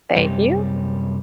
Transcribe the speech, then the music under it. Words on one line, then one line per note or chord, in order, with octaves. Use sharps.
Thank you.
F#2 C3 G3